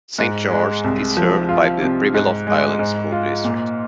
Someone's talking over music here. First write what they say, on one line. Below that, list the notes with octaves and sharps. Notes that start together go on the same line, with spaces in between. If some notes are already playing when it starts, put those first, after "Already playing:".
Saint George is served by the Pribilof Island School District.
G#2
G#3
C2
F3
F4
C3
G#2
G#3
G#2
F4
A#2